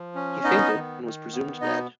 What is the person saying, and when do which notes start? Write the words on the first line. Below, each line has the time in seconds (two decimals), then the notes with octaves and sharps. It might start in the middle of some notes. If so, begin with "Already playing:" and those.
He fainted and was presumed dead.
Already playing: F3
0.15 C#4
0.44 B3 D#4 D#5
0.73 D#3
1.04 D#3
1.33 B3
1.61 B2 D#4 D#5